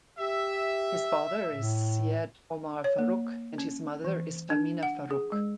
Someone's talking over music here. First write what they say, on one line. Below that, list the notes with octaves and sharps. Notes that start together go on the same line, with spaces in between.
His father is Syed Omar Faruk and his mother is Tahmina Faruk.
G4 E5
A2
C#5
A#3
C#4
E3
D4
F#5
G#4
G#3